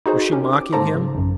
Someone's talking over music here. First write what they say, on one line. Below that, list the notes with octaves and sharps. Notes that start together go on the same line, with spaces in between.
Was she mocking him?
D#4 F#4 G#4 C5
C#4 G4 A#4
D6
G#2 A#3 A4 C5 A5 A#5
C#3
A1 F#2